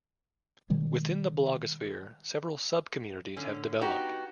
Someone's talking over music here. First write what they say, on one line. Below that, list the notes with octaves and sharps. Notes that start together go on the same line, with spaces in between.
Within the blogosphere, several sub-communities have developed.
B2 D#3 G3 G#3
D3 C#4
B3 D#4 F#4 G4